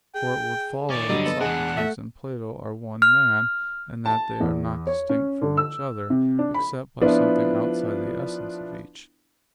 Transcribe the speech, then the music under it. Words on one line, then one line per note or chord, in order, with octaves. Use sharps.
For it would follow that Socrates and Plato are one man; and that they are not distinct from each other, except by something outside the essence of each.
G#4 G5
D#3 C#4 D5
G2 D3 F#3 G3 D#5
B3 A4
E2 D4 G#4 F#5
A3 E5
F6
A5
E2
C#5
C#4
D3
E6
C3
D4
B5
F3 B3 D4 E4 F4 B4